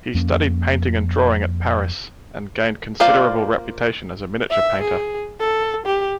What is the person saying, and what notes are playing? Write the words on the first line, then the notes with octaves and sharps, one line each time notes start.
He studied painting and drawing at Paris, and gained considerable reputation as a miniature-painter.
F2 A#3 C#4
A#3 F4 C5 D5 F5
E5
G#4
A4
G4